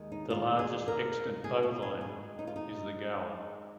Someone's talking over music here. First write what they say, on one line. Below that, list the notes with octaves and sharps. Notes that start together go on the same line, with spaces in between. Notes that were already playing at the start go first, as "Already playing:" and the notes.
The largest extant bovine is the gaur.
Already playing: D#2 D#3 G#3
D#4
F4
G#4
A#4
G#4
F4
G#4
G#2 D#3 G#3 G#4
D#4
F4
D#4